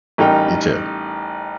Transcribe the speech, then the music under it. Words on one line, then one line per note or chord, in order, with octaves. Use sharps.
You too.
A1 G3 D#4 A#4 G5